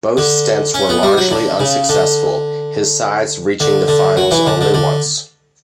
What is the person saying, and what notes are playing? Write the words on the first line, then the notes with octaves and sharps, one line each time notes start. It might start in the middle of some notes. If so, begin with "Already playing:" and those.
Both stints were largely unsuccessful, his sides reaching the finals only once.
D3
C#4
B3
G3
F#3
D3
C#3
D3
D3
D3
F#3
E3
D3
D3
D3